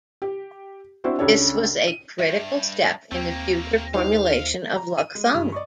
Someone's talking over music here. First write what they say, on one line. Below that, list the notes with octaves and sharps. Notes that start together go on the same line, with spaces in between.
This was a critical step in the future formulation of Luk Thung.
G4
C4 D4 E4 F#4 C5
C#2 C#3 D4 G4 A4 C#5
D#7
G2 E5
D#2 A3 A#3 C4 G5
D#4 E4 C5 F5
A#5
D#7
G#3
G2
D5 D#5 C#6